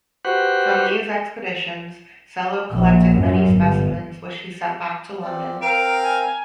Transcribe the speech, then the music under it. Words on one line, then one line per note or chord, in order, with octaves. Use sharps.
From these expeditions Sellow collected many specimens which he sent back to London.
F#4 G4 B4 C5 F#5
A#1
F#2
G1
C4 F4 D5
C4 A#4 F5 G5 D7
G#5